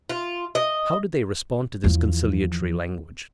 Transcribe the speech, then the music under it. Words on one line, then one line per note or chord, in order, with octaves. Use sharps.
How did they respond to this conciliatory language?
F4
D#5
E2 F3